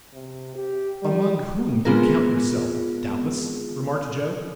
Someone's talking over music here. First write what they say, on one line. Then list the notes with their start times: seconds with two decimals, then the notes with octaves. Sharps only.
"Among whom you count yourself, doubtless," remarked Joe.
0.13 C3
0.55 G4
1.02 G3
1.85 G#3 B3 C4 F4 G#4 A#4